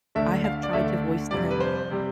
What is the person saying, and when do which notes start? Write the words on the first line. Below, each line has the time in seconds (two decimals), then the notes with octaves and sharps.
I have tried to voice to him
0.15 D2 D3 A3 D4 E5
0.44 F5
0.63 D5
0.73 D2 D3 A3 D4 E5
1.31 F2 C3 G3 D5
1.51 B4
1.60 C5
1.91 C3 G3